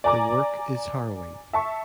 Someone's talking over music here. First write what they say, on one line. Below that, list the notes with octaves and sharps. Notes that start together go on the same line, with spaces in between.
The work is harrowing.
D5 G#5 A#5 D6
E5 A5 C#6